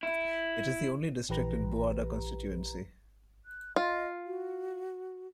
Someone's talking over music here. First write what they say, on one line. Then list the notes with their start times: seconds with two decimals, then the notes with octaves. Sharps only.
It is the only district in Buada Constituency.
0.03 E4
1.29 A#1 E3 G4 B4 A#5
3.45 F#6
3.76 F4 D#5
4.26 F#4